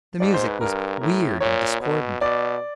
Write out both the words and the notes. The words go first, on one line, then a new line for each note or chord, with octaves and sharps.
The music was weird and discordant.
G#2 D5
C5
B4
G2 A#4
A2
A#2 C#5
B2
B2 D5